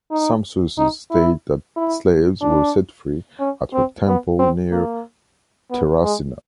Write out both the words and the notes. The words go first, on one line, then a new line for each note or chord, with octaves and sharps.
Some sources state that slaves were set free at her temple near Terracina.
D#4
D#4
E4
E4
D4
C#4
C4
B3
C4
A#3
B3
G#3